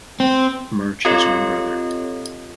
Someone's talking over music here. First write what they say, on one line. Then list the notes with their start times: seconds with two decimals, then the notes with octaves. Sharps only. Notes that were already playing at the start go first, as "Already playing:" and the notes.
March has one brother.
0.20 C4
1.05 C4 F4 G4 A4 C#5 D#5